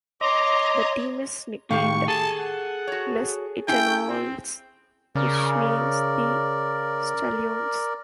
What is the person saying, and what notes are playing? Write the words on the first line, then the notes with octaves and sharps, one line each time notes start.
The team is nicknamed "Les Etalons", which means "The Stallions".
C#5 D#5 A#5 C6 D6
A2 D#3 G4 F5 C#6
G#4 A4 A5
F#5
F#4 C#5
C#4 E4 G5
C4
C#3 A#4 D5